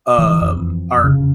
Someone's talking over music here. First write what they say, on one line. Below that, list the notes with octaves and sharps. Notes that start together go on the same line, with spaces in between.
um, our
E3
F2
C#3